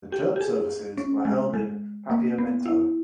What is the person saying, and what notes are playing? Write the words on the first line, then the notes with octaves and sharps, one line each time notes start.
The church services were held in Papiamento.
G4
G4
G#4
C#4
G#3
G#3
A#3
B3
E4